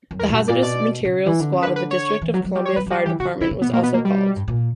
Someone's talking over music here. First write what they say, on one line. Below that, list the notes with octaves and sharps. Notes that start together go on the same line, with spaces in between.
The hazardous materials squad of the District of Columbia Fire Department was also called.
F#2
E2 A#4
A#2
G2 F#4
A#2 D5
B2 D5
C#3
E3
D3
C#3
B4
D3
B4
C#5
E3
F#3
F#3
G3
C#5
F#3 B4
F#3
G3 F#4
E3 G4
D3 F#4
C#3 E4
C#3
B2 B3
A#2
A#3
B2
B3
A#3
G3
G2
A#2